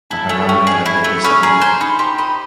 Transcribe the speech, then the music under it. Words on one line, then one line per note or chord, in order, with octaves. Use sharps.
Maharani Ella Devi Sahiba.
E4 A5
A3 G#5
C#4 G5
G#4 G#5
E4 G#5
A3
C#4 B5
G#4 A#5
C5
D#4 B5
G4 C6
D#5 B5